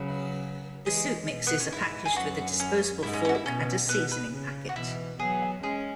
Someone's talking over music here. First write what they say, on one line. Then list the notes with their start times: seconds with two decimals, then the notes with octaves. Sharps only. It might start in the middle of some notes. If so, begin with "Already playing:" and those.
The soup mixes are packaged with a disposable fork and a seasoning packet.
Already playing: C#3 F#3 B4
0.86 E3 G#3 G#4
1.29 B2
1.47 B3
1.60 C#4
1.72 G#2 E4
2.05 G#4
2.16 F#2 F#4
2.60 C#4
3.03 G#2 E4
3.13 C#4
3.25 C#4
3.29 F#4
3.35 E4
3.46 B2 C#4
3.89 B2 B3
4.11 B4
4.32 C#3
4.69 F#4
4.75 B2 E3 E4
5.19 F#3 B3 G#4
5.62 G#3 C#4 G#4